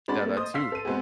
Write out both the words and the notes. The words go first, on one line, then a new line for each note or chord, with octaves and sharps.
Yeah, that too.
G#3 D4 F#4 B5 A6
A3 A#3
C5 D#5 D#6
F5 C6 E6 B6 C7
A4 D#7
G#3 B3 C4 F#4 G#4